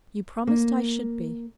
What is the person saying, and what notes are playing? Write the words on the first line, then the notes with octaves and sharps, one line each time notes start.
"You promised I should be."
A#3